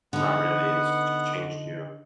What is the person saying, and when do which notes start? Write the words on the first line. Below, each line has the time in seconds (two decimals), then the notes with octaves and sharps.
not really, it's ch changed you?
0.13 D3 B3 D#4 F#5